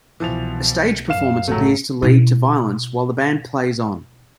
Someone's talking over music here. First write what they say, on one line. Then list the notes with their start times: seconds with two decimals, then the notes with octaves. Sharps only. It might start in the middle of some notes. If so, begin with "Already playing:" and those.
A stage performance appears to lead to violence while the band plays on.
0.20 C2 B2 E3 F3 F7
1.10 F#2 F5 E7
1.48 A1 C#3 F#3 A3
2.02 B2 E4